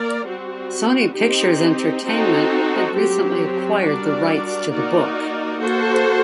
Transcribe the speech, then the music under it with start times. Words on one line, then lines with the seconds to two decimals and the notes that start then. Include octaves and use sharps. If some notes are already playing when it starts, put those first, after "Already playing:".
Sony Pictures Entertainment had recently acquired the rights to the book.
Already playing: A#3 A#4 D5
0.27 G3 C4 F#4
1.16 C4 D#4 G4
2.04 C4 D#4 F#4 A4
2.93 F#3 C4 G4
3.81 G3 D4 F#4 A#4 D5
4.70 A#3 D#4 F#4 A#4 D5
5.59 A#3 F#4 A4 C5